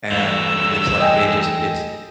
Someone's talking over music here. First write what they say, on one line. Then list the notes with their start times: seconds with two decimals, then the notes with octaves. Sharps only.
and, it's like they just it's
0.11 E2 G2 F#3 A3 E6 A#6
1.00 D#5 G5 G#5